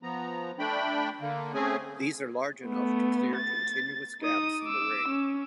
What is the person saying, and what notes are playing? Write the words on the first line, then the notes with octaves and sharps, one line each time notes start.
These are large enough to clear continuous gaps in the ring.
F3 B3 A#5
A3 D4 G5 B5
D3 A#3
A3 C4 C#4 G#4 G#5
A3 B3
A6
D#4 D#6
D6 E6
C#4